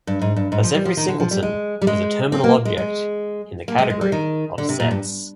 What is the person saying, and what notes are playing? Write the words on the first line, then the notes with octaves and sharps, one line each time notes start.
Thus every singleton is a terminal object in the category of sets.
G2
G#2
G2
G#2
F3
G3
F3
D#3
D3
F3
G3
G#3
G3
G#3
C4
A#3
G#3
G#3
A#3
G#3
G#3
G3
D#3
D3
C3
A#2
G2